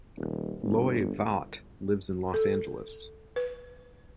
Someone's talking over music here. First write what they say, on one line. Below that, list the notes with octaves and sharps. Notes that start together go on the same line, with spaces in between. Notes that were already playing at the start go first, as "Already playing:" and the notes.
Loy Vaught lives in Los Angeles.
D#1
G1
A4
B4